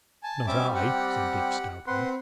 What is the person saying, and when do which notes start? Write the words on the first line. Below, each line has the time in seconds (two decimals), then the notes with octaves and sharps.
"Not I," said Dick, stoutly.
0.23 G#5 A5
0.47 G3 C4 C#4 E5 D6
0.74 G4 F#5
1.87 C4 B4 F#5 C6